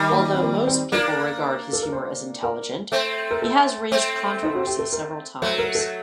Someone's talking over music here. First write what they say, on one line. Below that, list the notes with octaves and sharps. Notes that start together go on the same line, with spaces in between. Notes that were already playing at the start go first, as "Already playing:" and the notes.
Although most people regard his humor as intelligent, he has raised controversy several times.
Already playing: D#3 G3
A#3
C4
A#3
C4
A#3 D4 A#4
A4
A#4
C5
A#4
A3 C4
A#4
A4
A3 C4
D#4
F#4
G4
A4
A#4
F#3 A3 C5
A#4
A4